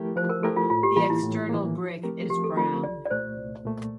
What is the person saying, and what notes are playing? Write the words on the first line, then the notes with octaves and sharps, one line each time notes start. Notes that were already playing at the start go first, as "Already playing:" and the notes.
The external brick is brown.
Already playing: F3 A3 E4 G4 A#4
F3 C5
A#4
A3 E4 G4 A4 A#4
F4
A2 F4
G4
E3 A#3 F4
E4
A2
E3 A#3
F3
A3 C4 G4 A#4
F3 G4
A4
A3 C4 F4 G4 A#4
C2 D5
D5
A#2 A3 C5
C2
A#2 A3